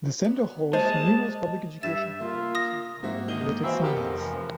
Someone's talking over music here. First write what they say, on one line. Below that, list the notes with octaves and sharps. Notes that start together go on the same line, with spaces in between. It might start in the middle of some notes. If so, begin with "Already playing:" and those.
The Centre hosts numerous public education programs in marine related science.
G2 F#3 B3
G3 G#3 A#3 C5 D#5 A5
G2 E5 A6 E7
A#3 F4
D#6 A#6
G#2 A#3 C4 F#4 E5
D3 D#3 D#5 G7
E3 C4 F#4 C5 E5 F5
G2 C3 B3 G4 A#4
F1 F2
E3 F3